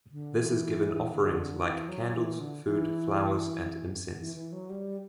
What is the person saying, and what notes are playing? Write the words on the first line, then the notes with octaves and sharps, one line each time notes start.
This is given offerings like candles, food, flowers, and incense.
D3
E3
D3
E3
F#3
E3
D3
E3
E3
E3
F#3
G3